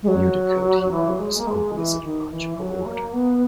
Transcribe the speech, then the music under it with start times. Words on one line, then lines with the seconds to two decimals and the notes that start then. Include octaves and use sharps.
Unicode Hebrew is always in logical order.
0.03 G#3
0.08 F#3
0.91 E3
1.08 F#3
1.19 G#3
1.38 A#3
1.47 G#3
1.75 E3
2.02 D#3
2.29 E3
2.57 F#3
2.85 A#3
3.13 B3